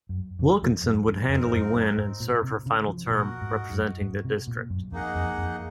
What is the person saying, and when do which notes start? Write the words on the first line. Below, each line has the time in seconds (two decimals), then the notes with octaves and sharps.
Wilkinson would handily win and serve her final term representing the district.
0.09 F#2
0.39 F2
0.62 F2
0.84 F#2
1.07 F2
1.29 F2 C4 D#4 A#4
1.47 G#2
1.53 F#2
1.75 F#2
1.97 G#2
2.20 A#2
2.43 C3
2.66 C#3
2.88 F3
3.10 A#2 F#4 A#4 D#5 F#5
3.41 G#2
3.71 F#2
4.01 G#2
4.25 C3
4.47 A#2
4.70 F#2
4.92 F2 A#3 D#4 G#4 D#5 F#5
5.15 F2
5.38 F2